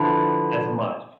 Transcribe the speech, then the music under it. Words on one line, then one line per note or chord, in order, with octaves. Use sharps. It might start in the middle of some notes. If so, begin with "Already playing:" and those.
as much.
Already playing: D3 F3 B3 E4